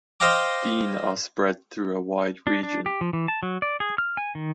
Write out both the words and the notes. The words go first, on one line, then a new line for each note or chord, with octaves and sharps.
Dene are spread through a wide region.
C5 D#5 F5 G5 A#5 D6
D4
D4
G4
F3
E3
A5
F#3
D5
G#4
F6
G#5
D#3